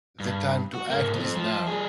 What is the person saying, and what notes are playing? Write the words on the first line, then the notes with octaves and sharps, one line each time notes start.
The time to act is now.
G2
F#4
G#2 A#3
F3 C4
F3
G3 G#4